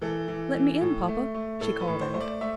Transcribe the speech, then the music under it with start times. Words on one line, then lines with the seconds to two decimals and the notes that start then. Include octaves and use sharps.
"Let me in, papa," she called out.
0.02 E3 A4
0.28 E3
0.55 E3
0.81 A2
1.08 A3
1.34 A3
1.60 A2 A4
1.81 B4
1.87 A2
2.01 C5
2.14 A3 C5
2.20 D5
2.41 A3 E5